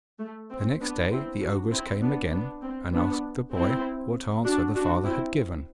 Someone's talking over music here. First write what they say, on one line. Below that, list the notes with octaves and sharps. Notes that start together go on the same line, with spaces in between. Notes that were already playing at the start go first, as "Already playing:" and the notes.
The next day the ogress came again, and asked the boy what answer the father had given.
A3
C4
B3 D4
C4 E4
D4 F#4
C4 E4
B3 D4
B3 D4
C4
B3 D4
C4 E4
D4 F#4
D4 F#4
C4 E4